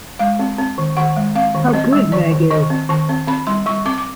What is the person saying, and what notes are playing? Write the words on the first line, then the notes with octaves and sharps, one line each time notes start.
How good Meg is!
G#3 F5
C4
C4
D#3
D#3 F#5
G#3
C4 F5
D#3
C4 D#5
G3
D#3 D5
D#3
D#3 D#5
C4
D#3 A5
C4
C4 B5
G3 C6
G3 C#6
C4 D6
D6